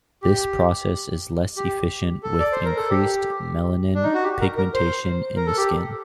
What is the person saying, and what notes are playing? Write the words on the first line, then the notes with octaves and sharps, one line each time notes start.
This process is less efficient with increased melanin pigmentation in the skin.
G4
G4
A4
D5
C5
A#4
A4
G4
D4
D#4
F#4
G4
A#4
A#4
C5
A#4
A4
G4